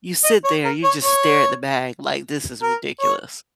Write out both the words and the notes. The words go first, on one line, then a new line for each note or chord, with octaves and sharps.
you sit there, you just stare at the bag like, "This is ridiculous."
D#5
C#5
A#4
C#5
C#5
A#4
C#5